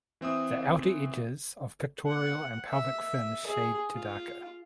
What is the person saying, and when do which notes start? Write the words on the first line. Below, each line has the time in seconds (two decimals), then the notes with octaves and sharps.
The outer edges of pectoral and pelvic fins shade to darker.
0.21 E3 C4 E5 D#6
2.07 F#5
2.69 E5
3.46 G#4
3.94 F4